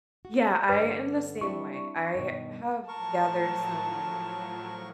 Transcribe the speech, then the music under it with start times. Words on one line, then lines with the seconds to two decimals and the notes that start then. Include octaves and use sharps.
Yeah. I am the same way. I have gathered some
0.25 F#4
0.69 G2 D3 B4 D5
1.41 G3 C4 D4 E4 C#6
2.15 G2 B2 D#3
2.88 A2 F3 F#3 A#4 A5 C#6